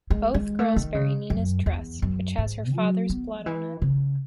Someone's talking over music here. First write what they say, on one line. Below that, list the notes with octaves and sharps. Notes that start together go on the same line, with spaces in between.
Both girls bury Nina's dress, which has her father's blood on it.
G#3
G#3
A3
D#3
C#3
F#2
E2
F#2
G#2
F#3
B3
D#3
E3
C#3